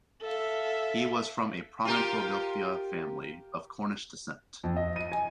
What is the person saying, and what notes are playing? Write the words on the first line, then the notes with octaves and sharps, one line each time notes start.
He was from a prominent Philadelphia family of Cornish descent.
A4 E5 F5
F4 G4 A#4
F2
D#5
D#7
G#5